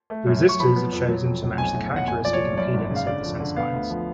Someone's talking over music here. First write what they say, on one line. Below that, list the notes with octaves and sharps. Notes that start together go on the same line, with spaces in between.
The resistors are chosen to match the characteristic impedance of the sense lines.
A3
F#2
F#2
C#6
F3 B5
B3
F2
F#3
F2
F1
B1 G#5
A2
B1 F#5
F#1 G#5
F3 D5
C#5
F#1
F#2 D5
G#1
C#3 F5
D3 D5
F2
D3
B3 F5
D2
F3